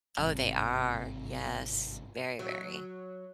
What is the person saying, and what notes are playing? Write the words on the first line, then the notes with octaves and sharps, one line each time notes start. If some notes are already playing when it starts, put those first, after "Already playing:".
Oh, they are. Yes. Very, very.
G#1 G2 C3
F#3